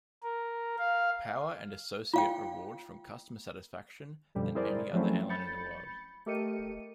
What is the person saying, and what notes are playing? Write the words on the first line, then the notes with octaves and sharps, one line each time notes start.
Power and Associates awards for Customer Satisfaction than any other airline in the world.
A#4
F5
F4 F5 G5
F#2 B2 D3 F3 G3
C4 E4 G#4 A#4 C5 D5
F3 F#3 A3 C4 C#4 E4
B5 G6 A6 C#7
A3 G4 A#4 D#5 C#7 D#7